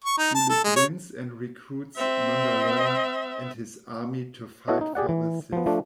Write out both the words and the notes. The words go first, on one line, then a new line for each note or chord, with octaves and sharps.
Ulic wins, and recruits Mandalore and his army to fight for the Sith.
C#6
D#4
A5
A4
G#3
C#5
C4 E5
B3 E4 F#4 A4 C#5 D#5
D#4
G4 G#4 D5 F#5
E3
F3 B3
F3 A3 D4